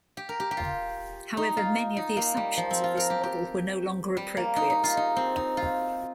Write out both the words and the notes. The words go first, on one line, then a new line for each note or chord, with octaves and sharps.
However, many of the assumptions of this model were no longer appropriate.
G4
A#4
G4
G4
F4
D#4
F4
D#4
A#3
G3
F3
C4
F4
A#4
G4
G4
G3
A#3
D#4
D#4
F4
D#4
C4
D#4
F4